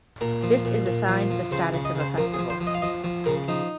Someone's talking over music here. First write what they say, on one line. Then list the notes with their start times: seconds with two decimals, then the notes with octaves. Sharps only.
This is assigned the status of a Festival.
0.21 A#2 A#4
0.43 F3
0.65 A#2
0.86 A#2
1.08 F3
1.31 F3
1.51 C#3 C5
1.74 C#3
1.85 D#5
1.96 C#3 C5
2.18 F3 A#4
2.34 G#4
2.39 F3
2.50 C5
2.61 F3
2.67 D#5
2.74 F5
2.82 F3 D#5
3.04 F3
3.26 C#3 A#4
3.48 F3 D#4